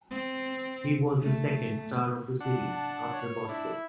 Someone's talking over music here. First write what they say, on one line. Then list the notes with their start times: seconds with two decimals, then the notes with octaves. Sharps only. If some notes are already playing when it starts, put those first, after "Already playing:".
He was the second star of the series, after Bosko.
0.10 C4
1.20 A3
2.40 D4 F#5
2.72 A5
3.11 C#5
3.49 D4 E4